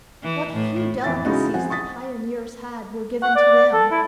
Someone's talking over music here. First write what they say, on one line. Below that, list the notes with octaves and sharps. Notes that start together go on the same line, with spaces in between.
What few delicacies the pioneers had were given to them.
E3
A2
F2 E3 E5 A6
C#3 G#3 C#4 D#4 E4 F#4
F3 C4 F#5 G#5
C#6 D#6 A6 B6
F#5
D5
A4
E4